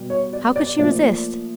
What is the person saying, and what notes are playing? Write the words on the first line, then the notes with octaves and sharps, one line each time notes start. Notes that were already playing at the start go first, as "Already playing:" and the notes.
How could she resist.
Already playing: B2 G3
C#5
D5
D5
A#2 F3 A3 D5